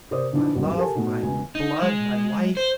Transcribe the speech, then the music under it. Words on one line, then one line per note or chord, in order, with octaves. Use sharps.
My love, my blood, my life!
C3 A#4 C5 D5 D#6
D3 E3 F3 D4 D#4
A1 E2 G2 F#3
G4 A4 A#4 G#5 A5
B2 A3 D#4 F#4
E1 C#2 G#5
D#4
G#3
C5